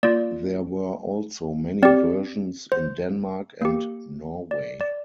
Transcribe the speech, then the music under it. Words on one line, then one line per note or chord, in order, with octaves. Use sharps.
There were also many versions in Denmark and Norway.
A#3 F4 D5
C4 G4 D5
C5
A#3 G4
D5
D5